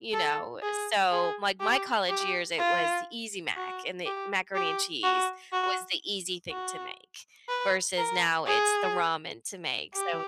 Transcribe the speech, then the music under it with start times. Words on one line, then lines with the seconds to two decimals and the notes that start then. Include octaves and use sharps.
you know? Eh, so, like, my college years, it was the Easy Mac, and the macaroni and cheese was the easy thing to make, versus now it's the ramen to make, so
0.14 A4
0.63 G#4
1.12 G#4
1.60 G4
2.09 G4
2.59 F4
3.57 F#4
4.06 G4
4.55 G4
5.04 F#4
5.53 F#4
6.51 F#4
7.49 B4
7.98 A#4
8.47 G#4
9.94 G4